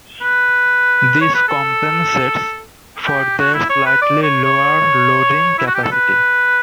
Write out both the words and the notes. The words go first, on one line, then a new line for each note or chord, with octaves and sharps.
This compensates for their slightly lower loading capacity.
B4
C#5
B4
A4
G4
F#4
E4
C#5
B4
D5
C#5
C#5
E4
F#4
G4
A4
B4